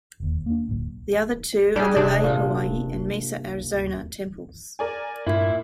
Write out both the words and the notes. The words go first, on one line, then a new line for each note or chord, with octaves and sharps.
The other two are the Laie Hawaii and Mesa Arizona temples.
E1 D#2
A#3 D4
D1 B1
G3 D4 G#4
C3 D4
A#2
A#4 D5 G#5
G2 A#2 E4